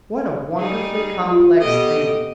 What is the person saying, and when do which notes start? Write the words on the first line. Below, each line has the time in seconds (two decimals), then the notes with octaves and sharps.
What a wonderfully complex thing!
0.57 G3 D#4 G#4
1.30 F4
1.60 B2 G4 A4 D#5